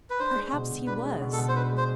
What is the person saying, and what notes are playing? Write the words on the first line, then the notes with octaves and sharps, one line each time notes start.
'Perhaps he was.
B4
D4 C5
G#3
B2
B2
D4 B4
G#3
B2
A4
B2
C5
D4 B4
G#3
C5